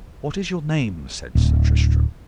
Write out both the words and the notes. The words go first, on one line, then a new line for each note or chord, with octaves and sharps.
What is your name? said Sir Tristram.
D1